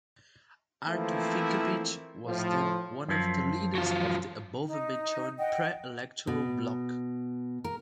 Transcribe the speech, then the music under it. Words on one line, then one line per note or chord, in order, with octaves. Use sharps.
Artur Finkevich was then one of the leaders of the above-mentioned pre-electoral block.
E3 F3 A3 A#3 C4 E4
A2 F3
F#2 F3
F#3 F4
D#4
D#5 F#5 G5
B2
A#4